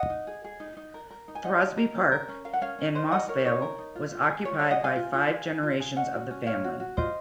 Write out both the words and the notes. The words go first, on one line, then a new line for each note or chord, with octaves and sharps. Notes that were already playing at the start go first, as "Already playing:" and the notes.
Throsby Park in Moss Vale was occupied by five generations of the family.
Already playing: D#5 F#5
D#4
G#4
G#4
D#4
D#4
A#4
A#4
D#4
G#5
D#4 D#5 F#5
D#4
A#4
C#4
A#4
C#4
A#4 F5
F#5
C#4 C#5 F5
C#4
D#4 C5 D#5
A#4 D#5 F#5
A#4 C#5
D#4 C#5
A#4
D#4
F4
F4
G#4
F4 C#5
G#4 C#5 F5
D#5 F#5
G#4 F5 G#5
F4
F4
G#4
G#4
F4
G#4
C#4 D#5 F#5
F#4
C#4
C#4 C#5 F5
F#4
F#4
F4 C5 D#5